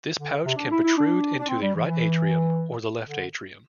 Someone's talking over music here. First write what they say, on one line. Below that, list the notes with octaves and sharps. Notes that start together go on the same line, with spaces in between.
This pouch can protrude into the right atrium or the left atrium.
D3
C3
D4
E4
E4
D4
D4
C4
G3
E3
E3
D3